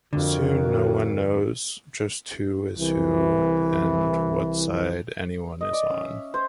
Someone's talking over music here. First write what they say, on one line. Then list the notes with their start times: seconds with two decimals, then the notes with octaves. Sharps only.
Soon no one knows just who is who and what side anyone is on.
0.13 F2 D3 F#4 A#4
2.78 C2 E3
5.61 D#5
5.73 D5
5.90 C#4
6.03 E5
6.34 C5